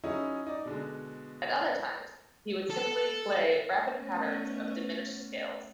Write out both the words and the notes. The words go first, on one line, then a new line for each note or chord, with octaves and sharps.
At other times, he would simply play rapid patterns of diminished-scales.
F#3 C#4 D#4 E4 G#4
D#4 D5
B2 D3 G#3
A4
A3 B3 C#4